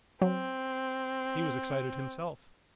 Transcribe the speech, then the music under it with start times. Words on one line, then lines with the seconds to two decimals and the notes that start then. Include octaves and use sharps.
He was excited himself.
0.22 F#3 C4